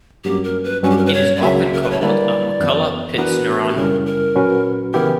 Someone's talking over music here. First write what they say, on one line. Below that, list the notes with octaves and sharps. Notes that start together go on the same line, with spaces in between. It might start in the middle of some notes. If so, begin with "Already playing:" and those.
It is often called a McCulloch-Pitts neuron.
G2 F#3 A#3 C#4 G4
A#4
B4
G2 F#3 C#4 B4
G4
A#4
B4
C#5
D5
C#2 C#3 F#3 A#3 E5
A#4
B4
C#5
D3 G3 A#3 E4 B4 D5
F#2 E3 B3
E3 B3 D4 F#4 A#4 B4
G4
F#2 C#3 G3 C#4 E4 A#4
A#4
A#2 F#3 C#4 F#4 B4
C#3 E3 B3 E4 G4 A#4